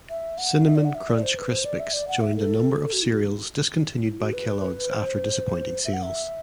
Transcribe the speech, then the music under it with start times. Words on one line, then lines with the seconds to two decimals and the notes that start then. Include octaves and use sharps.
Cinnamon Crunch Crispix joined a number of cereals discontinued by Kellogg's after disappointing sales.
0.10 E5
0.38 F#5
0.66 E5
0.76 D5
0.85 F#5
0.95 E5
1.09 D5
1.22 C5
1.38 B4
1.51 C5
1.65 D5
1.79 E5
1.94 D5
2.08 F#5
2.21 E5
2.36 A4
2.93 F#4
3.02 E4
3.11 F#4
4.06 E4
4.20 F#4
4.33 B4
4.90 C5
5.84 E5
5.93 F#5
6.03 E5